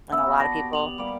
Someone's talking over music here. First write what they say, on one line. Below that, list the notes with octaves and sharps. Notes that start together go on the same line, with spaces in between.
And a lot of people
B3 E5 E6
F#4
D5 A5 A#6
G4
F7 F#7
G3 A#3 D5